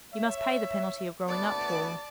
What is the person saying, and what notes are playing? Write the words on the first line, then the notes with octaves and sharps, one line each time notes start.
You must pay the penalty of growing-up, Paul.
C#5 E5
D2 A3 B3 D5 A5